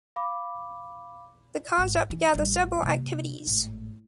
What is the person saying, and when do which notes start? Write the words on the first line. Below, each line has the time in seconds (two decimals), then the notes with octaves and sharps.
The concept gather several activities.
0.16 F5 B5 D6
1.78 G#1
2.10 E3
2.34 A1 G3
2.83 C3 A#3
3.47 G#1 A2